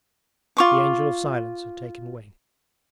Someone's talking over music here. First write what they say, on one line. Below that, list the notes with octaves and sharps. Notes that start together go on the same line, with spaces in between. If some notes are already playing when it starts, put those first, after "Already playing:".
The Angel of Silence had taken wing.
F4 C#6 D6